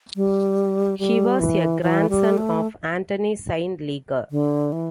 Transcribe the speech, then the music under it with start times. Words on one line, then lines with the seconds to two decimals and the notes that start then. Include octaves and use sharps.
He was a grandson of Anthony Saint Leger.
0.16 G3
0.99 G3
1.40 E3
1.82 E3
2.09 G3
2.38 A3
4.31 D3
4.72 E3